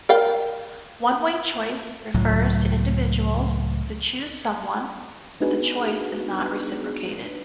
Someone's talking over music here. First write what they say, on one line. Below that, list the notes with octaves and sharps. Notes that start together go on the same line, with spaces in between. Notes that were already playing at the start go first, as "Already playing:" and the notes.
One-Way Choice refers to individuals who choose someone but the choice is not reciprocated.
A#4 F5 G5
C#2 A2 F#3
B3 D4 D#4 F#4 G#4 B4